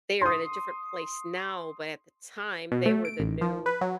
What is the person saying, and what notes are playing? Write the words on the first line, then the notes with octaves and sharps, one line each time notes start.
They are in a different place now, but at the time they were the new
C6 D#6
B2
A3
D7
A1
F3
B4
F#3